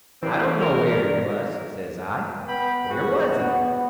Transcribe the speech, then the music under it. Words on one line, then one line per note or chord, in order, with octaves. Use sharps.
"I don't know where he was," says I; "where was he?"
E3 G3 A#3 C4
A4
G#4 A#4
D5
B3 B4 G5 B5
G2 F#4 G#4
B3